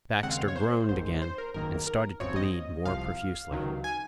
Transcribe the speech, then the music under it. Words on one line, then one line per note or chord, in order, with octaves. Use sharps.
Baxter groaned again and started to bleed more profusely.
D#2 C#3 G#3 C4 F#5
F5
C#5
C5
G#1 G#2 D#3 C5
C5
A#4
G#1 F#2 D#3 A#3 A#4
A#4
G#1 F#2 F3 C4 C#5
D#5
C2 C3 F3 F5
C#2 C3 D#3 F#3
G#5